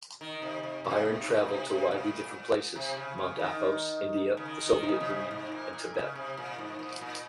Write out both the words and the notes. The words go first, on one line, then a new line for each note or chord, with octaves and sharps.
Byron travelled to widely different places; Mount Athos, India, the Soviet Union, and Tibet.
D#3
C3
C3
C3
G#2
C3
A#2
C3
C3
A#2
C3
C#3
C#3
D#3
C#3
D#3
D#3
C3
C#3
C#3
C3
G#2
A#2
A#2
C#3
C3
A#2
G#2
A#2
A#2